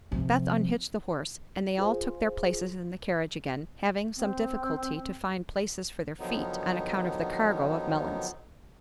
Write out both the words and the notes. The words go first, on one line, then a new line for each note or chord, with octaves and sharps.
Beth unhitched the horse and they all took their places in the carriage again, having some difficulty to find places for their feet on account of the cargo of melons.
C3 F3
F4 G#4 C5
C4
D3 D#3 F3 F#3 B3 D#4